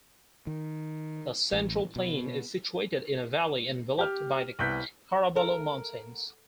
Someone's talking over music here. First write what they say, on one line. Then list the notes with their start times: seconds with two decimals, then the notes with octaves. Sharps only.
The central plain is situated in a valley enveloped by the Caraballo Mountains.
0.47 D#3
1.52 A1
1.96 B2
3.98 G4 F6
4.59 C2 B3 F#6 G6 B6
5.36 A4 A#4